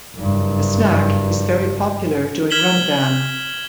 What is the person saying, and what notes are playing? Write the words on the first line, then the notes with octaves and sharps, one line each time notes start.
The snack is very popular during Ramadan.
F#1 G2
F6 G#6 B6 E7 F#7 G7